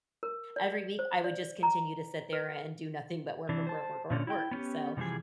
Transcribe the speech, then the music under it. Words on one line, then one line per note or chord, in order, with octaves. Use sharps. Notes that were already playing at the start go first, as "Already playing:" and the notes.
every week, I would just continue to sit there and do nothing but work, work, work, work, work, so,
A#4
D5
C5
D5
A#5
B4
C3 E3 D4
C5 A5
A#2 D3 C#4
E4 G5
B3 C#4 G4
C3 E3 F3 G3 G#4